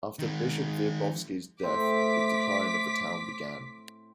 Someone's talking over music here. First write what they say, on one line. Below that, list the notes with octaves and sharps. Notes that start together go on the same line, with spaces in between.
After Bishop Wierzbowski's death the decline of the town began.
D#3 G#3
A2 C4 D6 B6